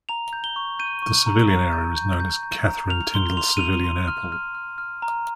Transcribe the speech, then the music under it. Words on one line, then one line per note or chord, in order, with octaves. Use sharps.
The civilian area is known as Katherine Tindal Civilian Airport.
A#5 F7
G6
G7
C#6
G6 D#7
C#6
A#5
A#5
G6
G6
G6
G6
A#5
F6 F7
C6 G7
C6 F7
D#7
C6 F7
C6
F6
F6
F6
F6
A#5